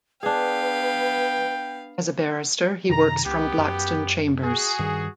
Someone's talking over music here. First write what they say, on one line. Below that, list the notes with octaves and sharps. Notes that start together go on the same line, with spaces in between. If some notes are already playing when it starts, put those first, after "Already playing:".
As a barrister he works from Blackstone Chambers.
B3 D4 G#4 B4 F5 G5
F#2 C3 D#3 A#5
C#2 B3 G4
F#2
F#4 G#4
G2 D#3